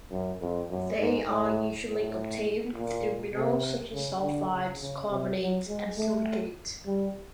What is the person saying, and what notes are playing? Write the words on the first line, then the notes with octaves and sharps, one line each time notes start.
They are usually obtained through minerals such as sulfides, carbonates, and silicates.
F#2
F2
F#2
G#2
A2
A2
A#2
C3
C#3
D3
C#3
C#3
C3
F#3
G#3
A3
G3